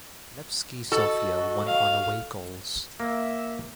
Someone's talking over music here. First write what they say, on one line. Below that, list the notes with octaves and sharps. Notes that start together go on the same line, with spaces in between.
Levski Sofia won on away goals.
F#4 A4 D#5
F5
A#3 E5